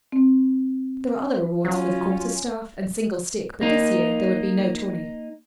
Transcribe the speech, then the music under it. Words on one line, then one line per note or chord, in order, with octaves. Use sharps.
There were other rewards for the quarter-staff and single-stick, but this year there would be no tourney.
C4
F#3 C#4 F4
A#3 D#4